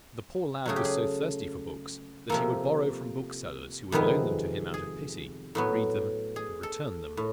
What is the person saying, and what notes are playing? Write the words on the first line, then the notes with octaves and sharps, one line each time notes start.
The poor lad was so thirsty for books that he would borrow from booksellers who would loan them to him out of pity, read them and return them.
C#3 F#3 A3 G#4
G4
G#4
C3 F3 A#3 A4
F2 C3 D#3 G#3 B3
G#4
A2 F#3 B3
G#4
A4
A2